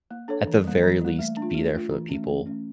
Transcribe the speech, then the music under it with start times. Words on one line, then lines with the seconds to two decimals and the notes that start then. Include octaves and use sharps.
at the very least, be there for the people
0.11 A#3
0.28 D4 A4 C#5
0.47 E3
0.65 G3 A#3
0.83 E3
1.01 G3 A#3
1.19 A3
1.37 D4
1.42 F4
1.55 A3
1.74 D4 F4
1.92 E3
2.09 A3 C#4
2.28 E3
2.46 A3 C#4